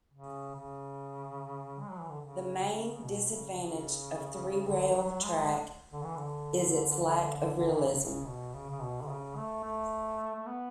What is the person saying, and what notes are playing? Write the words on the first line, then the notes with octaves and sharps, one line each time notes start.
The main disadvantage of three-rail track is its lack of realism.
C#3
C#3
G#3
F#3
E3
D3
C#3
C#3
C#3
B2
C#3
C#3
D3
F#3
G#3
D3
E3
D3
E3
D3
C#3
B2
C#3
C#3
B2
D3
C#3
A3
A3
A3
B3